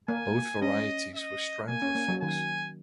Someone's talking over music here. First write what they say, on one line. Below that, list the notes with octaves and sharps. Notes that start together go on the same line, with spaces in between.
Both varieties were strangler figs.
A#3 G#5
C#4 D#5
D#5
A#3 G#5
C#4
A#3
F#3
D#3 G#5